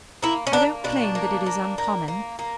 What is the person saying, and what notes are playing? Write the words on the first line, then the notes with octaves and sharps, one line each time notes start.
I don't claim that it is uncommon.
A#3 E4
C#4
A#3 D4
B2 D4
A#3
A#3
A#3
A#3
A#3